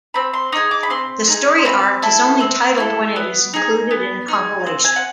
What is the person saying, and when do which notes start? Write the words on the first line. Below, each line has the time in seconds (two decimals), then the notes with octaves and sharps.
The story arc is only titled when it is included in a compilation.
0.14 C4 B5
0.33 C6
0.52 D#4 G#4 D#6
0.71 D6
0.83 B5
0.90 C4 C6
1.27 D#4 G#4
1.58 C6
1.65 C4 B5
2.02 E4 A4
2.41 C4
2.77 E4 A4
3.16 B3
3.53 D#4 G#4
3.91 B3
4.28 D#4 G#4
4.66 C4
4.84 G#5
4.96 F#5